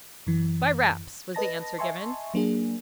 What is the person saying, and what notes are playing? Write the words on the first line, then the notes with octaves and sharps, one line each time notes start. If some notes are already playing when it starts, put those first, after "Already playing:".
"By raps," was the answer given.
F#2 E3
B4 D#5 A5 A#6
D#5 E5 G#5 A5 C6 C#6
F#3 A#3 D4 G#4